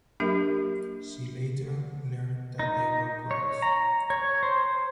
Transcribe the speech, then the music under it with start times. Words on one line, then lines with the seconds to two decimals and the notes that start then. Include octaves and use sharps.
She later learned that they were Kurds.
0.20 F#3 A#3 D4 G4 A#4 E5
2.59 D#4
3.31 C#5
3.62 A#5
4.10 C#5
4.43 C5